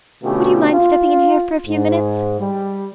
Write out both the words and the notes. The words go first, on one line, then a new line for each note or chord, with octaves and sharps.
Would you mind stepping in here for a few minutes?
B2 D3 A3 C#4 F4 G4
F4
G#2
G3